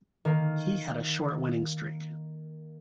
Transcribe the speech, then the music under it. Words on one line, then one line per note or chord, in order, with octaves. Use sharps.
He had a short winning streak.
D#3 A#3